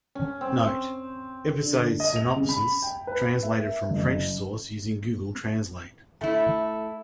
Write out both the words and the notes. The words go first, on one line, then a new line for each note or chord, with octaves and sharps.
Note: Episode synopsizes translated from French source using google translate.
C#4
C4
D3
D#5
F7
C#3
B5
G5
B4
E5
A#4
F#1
A3 E4